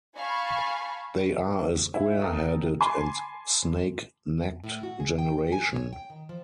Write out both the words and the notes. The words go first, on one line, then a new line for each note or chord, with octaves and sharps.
They are a square-headed and snake-necked generation.
F5 G#5 A5 B5 C#6
E4
A4 A#4 G5 D#6
G#5 A5 B5 C6 D6
A2
F#4
G#4
G5
G#5
C#5
G5
D#3
F3